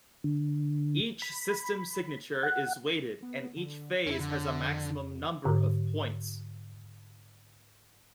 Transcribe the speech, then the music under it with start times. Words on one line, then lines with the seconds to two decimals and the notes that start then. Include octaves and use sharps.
Each system signature is weighted and each phase has a maximum number of points.
0.24 D3
1.22 B5
2.43 F#5
3.22 B3
3.56 D3
4.07 F2 C#4 E4
4.20 D3
5.45 G#2 D3